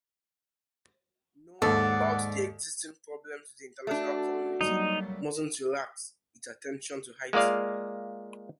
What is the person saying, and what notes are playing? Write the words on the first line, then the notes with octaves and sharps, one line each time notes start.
Knowing about the existing problems the international community mustn’t relax its attention to Haiti.
D#2 G#2 A4 D5 F#5
A3 D4 F#4
F#3 G3 A#3 D#4
G#3 A#3 F4 D5 F5